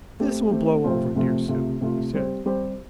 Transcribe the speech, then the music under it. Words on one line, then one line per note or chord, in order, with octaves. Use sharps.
"This will blow over, dear Sue," he said.
A3 C4 G4
A3 C4 G4
C3 F3 A3 C4 F4
C3 F3 A3 C4 F4
C3 A3 F4
C3 A3 F4
G3 C4 G4 C5
G3 C4 G4 C5